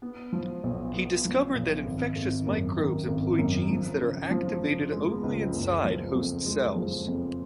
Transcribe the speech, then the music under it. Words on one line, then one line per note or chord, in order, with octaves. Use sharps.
He discovered that infectious microbes employ genes that are activated only inside host cells.
B3
F3
B1
B3
F3
B1
G#1
G#1
F#2
D#3
G#1
F#2
F3
C#3
F3
C#3
G#3
C#2
F#1
F3
F2
G#3
F3
F2